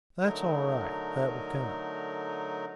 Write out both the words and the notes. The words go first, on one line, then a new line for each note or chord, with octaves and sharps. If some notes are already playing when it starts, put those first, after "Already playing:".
That's all right--that will come.
D3 F#3 A3 D#4 A#4